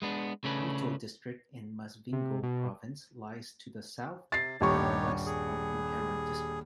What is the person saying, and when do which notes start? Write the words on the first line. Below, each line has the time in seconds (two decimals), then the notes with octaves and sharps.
Gutu District in Masvingo Province lies to the south and west of Buhera District.
0.02 G#3 B3 D4
0.44 C#3 A3 C#4 D4 B4
2.13 C3
2.43 B2
4.32 C3 A6 C7
4.61 D#1 G2 D#4 G4 C#5 C#6
5.26 G#4